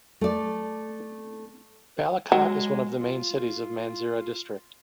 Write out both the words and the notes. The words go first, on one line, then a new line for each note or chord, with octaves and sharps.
Balakot is one of the main cities of Mansehra District.
A3 D5
F#3 G#3
F4